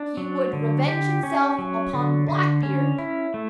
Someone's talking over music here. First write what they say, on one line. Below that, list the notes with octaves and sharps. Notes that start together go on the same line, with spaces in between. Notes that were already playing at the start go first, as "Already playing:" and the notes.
He would revenge himself upon Blackbeard!
Already playing: D4
F#3
D3
G4
C#4
F#3
D3
D3
C#4
E4
A3